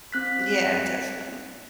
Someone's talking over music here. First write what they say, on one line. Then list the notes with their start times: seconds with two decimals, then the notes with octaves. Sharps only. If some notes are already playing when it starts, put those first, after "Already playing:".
Yeah, definitely.
0.12 C4 F#6 B6